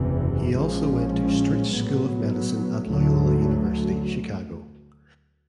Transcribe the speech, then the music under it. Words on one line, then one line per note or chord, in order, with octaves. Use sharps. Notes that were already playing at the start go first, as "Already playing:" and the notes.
He also went to Stritch School of Medicine at Loyola University Chicago.
Already playing: F#1 E2 C3 E3
A#1 A#2 F3 G#3 C#4
A#1 A2 F#3 B3
D2 D3 F#3 A3